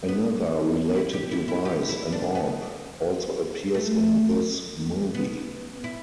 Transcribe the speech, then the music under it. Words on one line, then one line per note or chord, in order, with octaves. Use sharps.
Another related device, an orb, also appears in this movie.
B3
E4
G4
E4
E4
G4
E4
D4
B3
A3
B3
E4